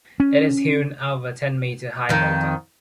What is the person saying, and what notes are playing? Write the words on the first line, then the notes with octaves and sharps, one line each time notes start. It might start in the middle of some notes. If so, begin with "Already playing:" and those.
It is hewn out of a ten meter high boulder.
C#4
F2 D#3